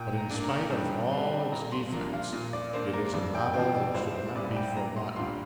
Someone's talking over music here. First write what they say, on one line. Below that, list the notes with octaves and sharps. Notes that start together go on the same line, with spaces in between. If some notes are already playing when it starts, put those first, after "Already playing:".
But in spite of all its defects it is a novel that should not be forgotten.
Already playing: A#2 G5
A#5
A#3 D4
A#5
G2 G5
G3 C4
A#2 A#5
C6
F3 A#3 D4 A#5
F5
A#2
D5
A#3 D4 C5
A#4
F2 D5
G5
F3 C4 G5
D5
C2 C5
C5
A#2 G3 D5
G5
A#2 A#5
C6
G3 D4 F4 C6